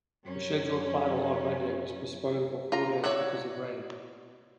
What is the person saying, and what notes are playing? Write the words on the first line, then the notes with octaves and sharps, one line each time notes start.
The scheduled final on Monday was postponed for four days because of rain.
F#2 C#4
F4 A#5
C#5 D5 E5 F#5